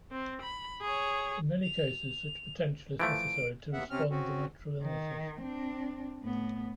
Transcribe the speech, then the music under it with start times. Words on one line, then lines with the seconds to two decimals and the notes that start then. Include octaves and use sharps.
In many cases such potential is necessary to respond the natural illnesses.
0.11 C4
0.42 B5
0.81 G#4 C#5
1.62 F7
3.00 E3 F3 A3 D7
3.73 D#2 B3 E5 F#5
3.90 C3 C4 C#4 F6
4.10 C4 C#4 F#4
4.83 D#3
5.41 C4 D4
6.22 A2 B3